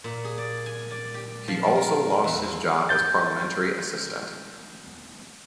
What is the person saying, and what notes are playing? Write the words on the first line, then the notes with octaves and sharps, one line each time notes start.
He also lost his job as parliamentary assistant.
A#2
G#4
D5
G#5
D5
G4
F3
A#4
E2
G#3
G6 A6